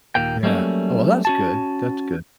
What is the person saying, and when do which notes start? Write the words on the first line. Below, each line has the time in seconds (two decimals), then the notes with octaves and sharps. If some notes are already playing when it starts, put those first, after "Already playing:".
Yeah, oh well, that's good, that's good.
0.15 D#2 A#2 A#3 G5
0.43 F#3 G3 A3 A#3 C#4
1.25 C#4 F#4 A5